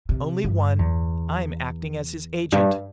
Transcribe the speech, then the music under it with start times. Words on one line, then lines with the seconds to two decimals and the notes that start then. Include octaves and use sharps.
"Only one: I'm acting as his agent."
0.09 C3
0.44 G2
0.79 E2
2.52 G2